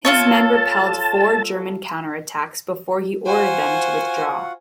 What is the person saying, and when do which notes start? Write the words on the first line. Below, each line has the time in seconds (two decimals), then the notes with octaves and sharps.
His men repelled four German counterattacks before he ordered them to withdraw.
0.05 F4 A4 C#5 A5
3.27 F4 F#4 C5 F#5 G#5